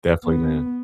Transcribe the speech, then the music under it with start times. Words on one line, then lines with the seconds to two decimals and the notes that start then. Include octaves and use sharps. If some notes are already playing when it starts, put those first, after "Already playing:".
Definitely, man.
0.25 B3